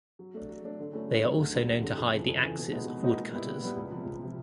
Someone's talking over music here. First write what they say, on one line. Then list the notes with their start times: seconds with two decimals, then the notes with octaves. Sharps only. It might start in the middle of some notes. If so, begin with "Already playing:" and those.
They are also known to hide the axes of woodcutters.
0.19 F#3
0.34 A3 D4
0.49 F#3
0.64 A3 D4
0.79 D3
0.93 F#3 A3 C#4 E4
1.08 D3
1.24 F#3 A3 C#4 E4
1.38 D2
1.53 D3 G3 C4
1.68 D2
1.83 D3 G3 C4
1.98 F2
2.13 C#3 E3
2.28 F2
2.42 C#3 E3
2.58 B2
2.72 G#3 B3 D#4 F#4
2.87 B2
3.02 G#3 B3 D#4 F#4
3.17 A#2
3.32 G3 B3 E4
3.47 A#2
3.62 G3 B3 E4
3.77 C#2
3.92 C3 F3
4.06 C#2
4.21 C3 F3